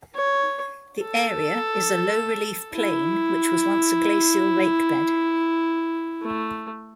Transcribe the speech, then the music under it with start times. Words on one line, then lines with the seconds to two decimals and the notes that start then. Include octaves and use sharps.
The area is a low-relief plain which was once a glacial lakebed.
0.15 C#5
1.02 A4
2.75 E4
6.23 A3